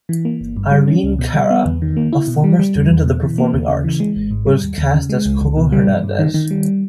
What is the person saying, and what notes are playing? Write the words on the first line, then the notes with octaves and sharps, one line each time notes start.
Irene Cara, a former student of the Performing Arts, was cast as Coco Hernandez.
E3
A#3
G1
G2
G3
C#4
C#2
B2
G3
B3
E2
D#3
A#3
E4
B2
G3
G3
E2
E2
B2
E3
A#3
D#2
C#3
E3
G#3
G#1
G#2
G3
D#2
D#2
C#3
G#3
C#2
C#2
B2
G3
G2
G2
D#3
D#3
G3